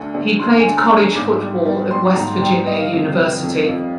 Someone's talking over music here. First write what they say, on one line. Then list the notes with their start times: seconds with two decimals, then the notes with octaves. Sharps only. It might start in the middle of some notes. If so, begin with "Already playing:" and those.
He played college football at West Virginia University.
Already playing: D2 D3
0.14 D2
0.39 D3 C6
0.59 G#5
0.65 D3
0.77 A#5
0.91 D2
0.97 A#5
1.15 G#2 D6
1.41 G3
1.65 G3
1.91 G3 C6
2.16 G#2 A#5
2.41 G3 G5
2.67 G3 D#5
2.79 F5
2.92 F2 D#5
3.17 F2
3.43 F2
3.68 F2